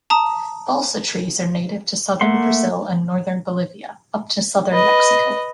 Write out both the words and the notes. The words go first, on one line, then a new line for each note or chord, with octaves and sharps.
Balsa trees are native to southern Brazil and northern Bolivia, up to southern Mexico.
A5 A#5 D#6
A3 A#3 E5 F#5 C6
B4 D#5